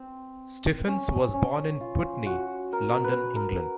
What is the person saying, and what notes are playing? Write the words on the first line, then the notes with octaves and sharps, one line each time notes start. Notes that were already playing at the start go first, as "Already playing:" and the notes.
Stephens was born in Putney, London, England.
Already playing: C4
C#4
C#4
F4
F#4
A#4
B4
A#4